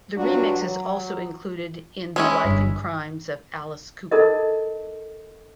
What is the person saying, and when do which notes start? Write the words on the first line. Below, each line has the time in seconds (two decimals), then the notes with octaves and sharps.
The remix is also included in "The Life and Crimes of Alice Cooper".
0.16 G2 F#3 D4 F4 F#4
0.58 F#3
2.16 G#3 C#4 E4
2.45 G1 G2
4.11 D#4 A4 A#4 D#5